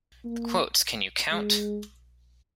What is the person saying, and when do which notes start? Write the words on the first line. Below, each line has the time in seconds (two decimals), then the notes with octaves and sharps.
The quotes, can you count?
0.25 A#3
1.32 G#3